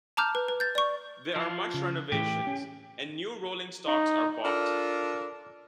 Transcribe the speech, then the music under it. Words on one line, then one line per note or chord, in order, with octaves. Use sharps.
There are much renovations, and new rolling stocks are bought.
A5 A#5 D6 F6 G6
B4
B4
G6 A6
D5 C#6
F3 F4
C#3
A2 E3 G4
C#4
D#4
D4 F4 A4 A#4 D5